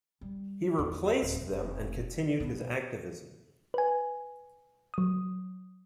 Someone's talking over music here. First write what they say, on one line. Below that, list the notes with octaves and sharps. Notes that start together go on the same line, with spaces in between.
He replaced them and continued his activism.
G3
E2
D1
F1
B2
B4 G#5
F#3 D#6